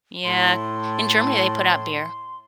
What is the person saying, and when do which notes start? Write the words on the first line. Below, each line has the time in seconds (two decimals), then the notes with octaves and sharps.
Yeah. In Germany, they put out beer,
0.24 A2 C6